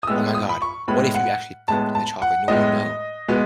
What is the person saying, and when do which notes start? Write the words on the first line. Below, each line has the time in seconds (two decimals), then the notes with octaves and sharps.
Oh my god. What if you actually pooped in the chocolate? No one would know.
0.03 D#6
0.07 A2 G#3 B3 E6
0.35 D#6
0.49 B5
0.62 C#6
0.88 A2 G#3 B3 B5
1.15 F#5
1.68 A2 G#3 B3 A5
1.95 A5
2.22 F#5
2.48 A2 G#3 B3 D#5
3.28 B2 G#3 B3